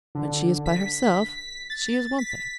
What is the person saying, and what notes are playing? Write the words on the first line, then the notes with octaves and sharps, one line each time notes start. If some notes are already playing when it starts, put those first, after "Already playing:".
When she is by herself, she is one thing.
D3
B6
A6
B6